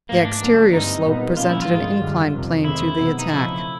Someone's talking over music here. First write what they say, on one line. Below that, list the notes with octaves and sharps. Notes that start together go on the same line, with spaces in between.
The exterior slope presented an inclined plane to the attack.
G#2 E3 A3 A#3
D4
D3 F#3 A#3 C#4
G2 E3 G3 C4 D#4
A#2 G3 B3
A#2 F3 A#3 C#4 F4
E4
F4
G#2 D#3 G#3
F#2 D3 G3
F2 C3 D#3
F2 C3 D#3 G#3 C4 E4
E2 B2 F#3 B3
D#4
C#3 F3 A3 C4 E4